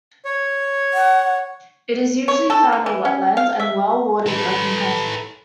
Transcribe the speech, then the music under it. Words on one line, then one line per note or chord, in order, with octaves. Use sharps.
It is usually found in wetlands and well-watered open country.
C#5
F#5
C#5
A4
D3
E3
C#4
F5
E5
A4 B4